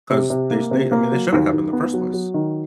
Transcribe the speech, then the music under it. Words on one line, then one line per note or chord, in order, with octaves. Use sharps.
'cause they sh they I mean, they shouldn't happen in the first place.
C3
C3
A#3
C3
A#3
F#3
D#2
D#2
B3
F#3
F#3
D#3